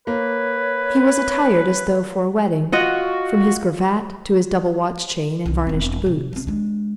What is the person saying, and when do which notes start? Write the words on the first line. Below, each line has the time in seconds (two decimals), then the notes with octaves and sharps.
He was attired as though for a wedding, from his cravat to his double watch-chain and varnished boots.
0.07 A#3 B4 C#5
2.72 F4 F#4 D#5 F#5
5.46 C2 D#4
5.67 E1 C4
6.06 C3
6.33 C3 C4
6.47 G#3 D4